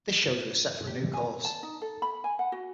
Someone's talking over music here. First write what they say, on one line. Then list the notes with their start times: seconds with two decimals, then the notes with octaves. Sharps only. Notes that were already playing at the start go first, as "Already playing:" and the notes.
This shows we are set for a new course.
0.87 G4
1.13 G#5
1.45 A5
1.63 D#4
1.81 A4
2.02 B5
2.24 G#5
2.39 F#5
2.52 F#4